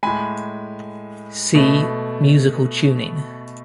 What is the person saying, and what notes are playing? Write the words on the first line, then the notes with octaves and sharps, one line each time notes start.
See: musical tuning.
A2 G#3 G#5 B5
B2 A3